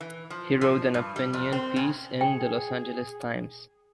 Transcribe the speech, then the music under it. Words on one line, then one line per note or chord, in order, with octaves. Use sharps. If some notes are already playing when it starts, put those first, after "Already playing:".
He wrote an opinion piece in the "Los Angeles Times".
E3
F3
F3
G2
G3
F2
C4
C#3
G#4 G5